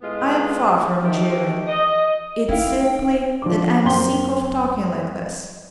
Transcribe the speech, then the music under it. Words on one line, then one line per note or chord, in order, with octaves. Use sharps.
I am far from jeering; it's simply that I'm sick of talking like this.
A2 G#3 B3 F4 D#5
D#3 A3 D4 D#4 G4
D#5
C#4 D#4 E4 F5 G5
F3 D4 D6
F#2 C4 G5 A#5 C6 G7